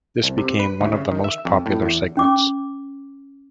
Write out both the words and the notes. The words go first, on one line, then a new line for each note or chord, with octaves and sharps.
This became one of the most popular segments.
C2
C3
B4
D2
C#3
D#3
E5
F2
A2
E2
C#4 D6